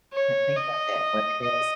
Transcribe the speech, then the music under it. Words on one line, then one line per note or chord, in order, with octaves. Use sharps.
Can't think of it, what it is.
C#5
D#5
D#5